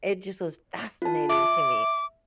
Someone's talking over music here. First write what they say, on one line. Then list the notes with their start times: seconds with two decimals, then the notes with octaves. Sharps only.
it just was fascinating to me.
1.02 F4 A5
1.29 E5 D6